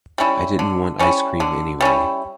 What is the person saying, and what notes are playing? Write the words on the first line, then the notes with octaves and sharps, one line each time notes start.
I didn't want ice cream anyway.
G3 C#4 E4
D3
G3 C#4 E4
D3
G3 C#4 E4